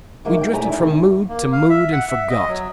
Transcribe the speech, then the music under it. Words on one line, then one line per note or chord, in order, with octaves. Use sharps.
We drifted from mood to mood and forgot.
E3 F#3 A#3 D#4
G5
B2 A3 E4 G4 G#5 A#5
E4 D5
C3 D#3
E2
A#3
F5
E5
F#5
E5
D#5
F#3